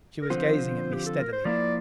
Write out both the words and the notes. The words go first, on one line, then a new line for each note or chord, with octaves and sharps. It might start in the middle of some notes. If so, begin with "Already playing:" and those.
She was gazing at me steadily.
A#4
D3 F3 C4 F4 C5
G4
A4
A#4
C5
F3 A#3 E4 D5